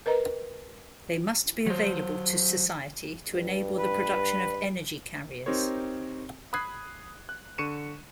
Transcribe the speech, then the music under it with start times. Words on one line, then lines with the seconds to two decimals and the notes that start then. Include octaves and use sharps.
They must be available to society to enable the production of energy carriers.
0.06 A#4 B4 D#5 A#5
1.66 F#3 C5
3.32 G2
3.79 B4
5.46 C4 D#4 G4 A#4 C5 C#5
6.53 B5 D#6 F#6 G#6 C7
7.29 F#6
7.58 D3 C#6 C#7 D#7 E7